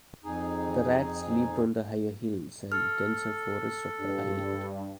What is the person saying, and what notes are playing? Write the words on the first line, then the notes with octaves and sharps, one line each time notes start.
The rats lived on the higher hills and denser forests of the island.
F2 D#4 G#4
A4 F6
G2